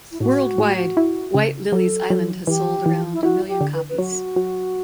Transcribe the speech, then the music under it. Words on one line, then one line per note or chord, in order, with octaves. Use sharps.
Worldwide, "White Lilies Island" has sold around a million copies.
E4
A2 F#4
A2
E4
C#3
F#3 A4
F#3
E3 G4
E3
E4
E4 F#4
G4
D3
B4
B4
F#3 F#4
F#3